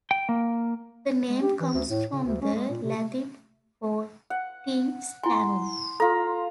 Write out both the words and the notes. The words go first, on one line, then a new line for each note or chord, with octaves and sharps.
The name comes from the Latin for tin: "stannum".
G5
A#3
G#3
G4
E3
D2
A2
C#3
D2
C#4
G#3
A#2
C3
A3
F#5
E4 G#5 C6
F4 A4 A#5